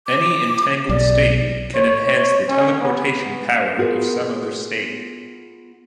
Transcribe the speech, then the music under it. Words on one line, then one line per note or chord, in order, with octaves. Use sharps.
Any entangled state can enhance the teleportation power of some other state.
D6
B1 D5
C#5
C#5
C#4
B3
B3 F4 F#4 G#4 A#4 B4